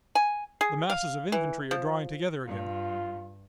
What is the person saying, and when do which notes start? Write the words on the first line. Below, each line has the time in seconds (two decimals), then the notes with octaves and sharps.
The masses of infantry are drawing together again.
0.15 G#5
0.61 G#4
0.90 F5
1.32 E3
1.71 F3
2.46 G2 F4